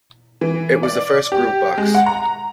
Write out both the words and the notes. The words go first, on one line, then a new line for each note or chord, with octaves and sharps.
It was the first groovebox.
E3
D5
G4
G#3
F#5
A#5